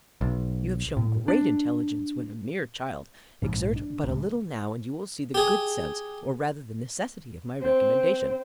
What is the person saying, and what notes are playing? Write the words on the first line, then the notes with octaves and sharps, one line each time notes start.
You have shown great intelligence when a mere child; exert but a little now, and you will see the good sense, or rather the necessity, of my recommendation.
B1
A2
D4
A#1 G#2 C3 F3
D4
D1 C#2
G4 G#4
C4